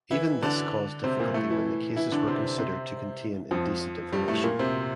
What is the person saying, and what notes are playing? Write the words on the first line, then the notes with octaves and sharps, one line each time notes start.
Even this caused difficulty when the cases were considered to contain indecent information.
E3 E4
D3 D4
C3 C4
A#2 A#3
A2 A3
E3 E4
E3 E4
D3 D4
C3 C4
C3 C4
F2 F3
G2 G3
A2 A3
A#2 A#3
C3 C4